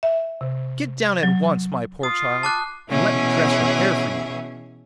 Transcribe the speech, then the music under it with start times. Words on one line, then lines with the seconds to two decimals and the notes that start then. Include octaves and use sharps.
Get down at once, my poor child, and let me dress your hair for you!'
0.03 E5
0.41 C3
1.23 F#3
2.03 F4 D#6
2.43 A5 D6 F#6
2.89 B2 E3 C#4 G#4 E5